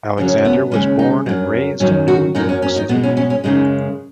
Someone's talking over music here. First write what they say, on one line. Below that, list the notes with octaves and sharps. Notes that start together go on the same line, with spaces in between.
Alexander was born and raised in New York City.
F#2 C#3 F#3 C#4
B3
D#2 C#3 G#3 C#4
D#4
F#2 F#3
F#2 D#3 F#3 C#4
F#4
F#2 F#3 D#4
C#4
C#4
D#4
B2 G#3 B3
C#4
C#4
C#4
F#2 C#3 G#3 D#4